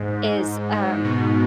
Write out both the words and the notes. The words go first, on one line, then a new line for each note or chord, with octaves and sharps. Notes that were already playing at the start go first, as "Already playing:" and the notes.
is, um,
Already playing: G#2
G#2
B2